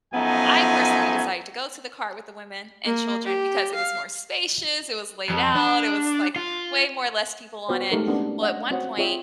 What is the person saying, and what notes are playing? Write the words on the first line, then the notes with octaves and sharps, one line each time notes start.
I personally decided to go to the cart with the women and children because it was more spacious, it was laid out, it was, like, way more less people on it. Well, at one point,
F#2 F3 A3 B3 D#4 G#5
A#3
G4
F5
F2
D4
F4
B3 F#4 C5 C#5
G#3 A3 D#4 G4 A#4
B3 C#4 D4
D#5 F#5
C4 F#4 C5 C#5 F#5
C4 F4 G#4 C#5 E5 G5